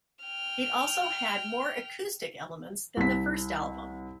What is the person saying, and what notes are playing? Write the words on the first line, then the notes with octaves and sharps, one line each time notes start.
It also had more acoustic elements than the first album.
G5 F6
C2 B6